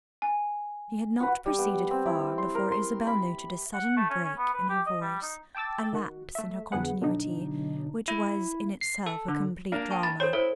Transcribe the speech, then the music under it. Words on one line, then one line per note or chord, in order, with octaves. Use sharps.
She had not proceeded far before Isabel noted a sudden break in her voice, a lapse in her continuity, which was in itself a complete drama.
G#5
F#4 B4
G3
B3
C4
E4
C6
A#4
C6
B5
F#5
A3
C#4
C#4
B3
B4
G4
D#5
G3
D#4
G5 A5 D6 E6 A6
D#3 F#4
A3 E5
F2 D3 B3 G#4 B4 F#5
B2 D3 F#3 D4 D#4
E4
C7
A4
D3
A#3 D4
G5 A5 C#6
B5 A6
A4 C5 C#5 C6
E4 A4 C5